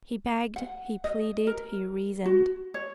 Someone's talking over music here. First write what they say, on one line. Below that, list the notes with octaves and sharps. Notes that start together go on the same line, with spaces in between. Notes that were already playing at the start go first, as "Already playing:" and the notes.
He begged, he pleaded, he reasoned.
F#5
D#5
A#4
F#4
C#5